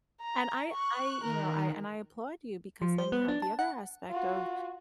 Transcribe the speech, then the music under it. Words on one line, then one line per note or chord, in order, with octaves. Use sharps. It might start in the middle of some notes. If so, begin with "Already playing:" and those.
and I I you know, I and I applaud you, because then you have the other aspect of,
A#5
C#6 F#6
D#3 A#4
F3
C5
B3
D4
A5
F#5
F4 F#4